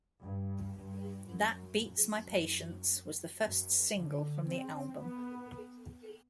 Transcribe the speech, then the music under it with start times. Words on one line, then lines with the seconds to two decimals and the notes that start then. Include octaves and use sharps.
"That Beats My Patience" was the first single from the album.
0.22 G2
0.76 G2
1.29 F#2
1.82 F#2
3.43 F#2
3.97 D3
4.50 C4
5.03 B3